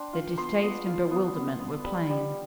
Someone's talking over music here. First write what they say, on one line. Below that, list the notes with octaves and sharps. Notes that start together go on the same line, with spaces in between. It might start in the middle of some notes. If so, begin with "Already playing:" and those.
Their distaste and bewilderment were plain.
Already playing: D4 G5 C6
F4
B3 C6
B3
F4
B3
B3
B3
G3 B5
G3